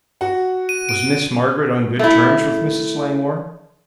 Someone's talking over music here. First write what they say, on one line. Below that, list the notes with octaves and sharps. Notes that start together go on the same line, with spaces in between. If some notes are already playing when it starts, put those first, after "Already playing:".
"Was Miss Margaret on good terms with Mrs. Langmore?"
F#4 F#5
D#7
D7
A3 E4